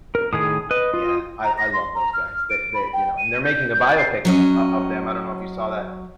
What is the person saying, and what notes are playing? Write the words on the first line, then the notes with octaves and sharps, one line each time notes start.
uh, yeah, I I love those guys, they they, you know, and they're making a biopic of, uh, of them I don't know if you saw that
A#4
A2 D#3 G#4 D#6
B4 D#5
F4
A#5
A#6
C6
A#5
F6
D7
B5
G5
D#7
G6
G6
C7
F#3 C#4 D#5